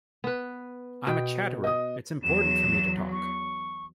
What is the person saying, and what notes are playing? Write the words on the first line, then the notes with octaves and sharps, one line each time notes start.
I'm a chatterer; it's important for me to talk!
B3 B4
B2 G5
D#5 D#6
E2 F#3 E7
C#6